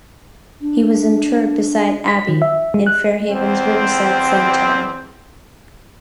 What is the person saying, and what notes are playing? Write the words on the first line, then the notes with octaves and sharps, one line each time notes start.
He was interred beside Abbie in Fairhaven's Riverside Cemetery.
D4
B6
D#3
E5
G#3
F#6
E2 C4